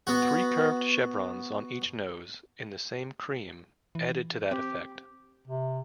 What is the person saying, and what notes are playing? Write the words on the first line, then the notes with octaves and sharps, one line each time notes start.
Three curved chevrons on each nose, in the same cream, added to that effect.
B3 F#4
E3
C4 G4
C3